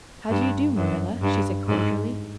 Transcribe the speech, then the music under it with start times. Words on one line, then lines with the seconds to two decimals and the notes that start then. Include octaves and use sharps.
"How do you do, Marilla?" she said cordially.
0.30 G2
0.76 F#2
1.22 G2
1.68 G#2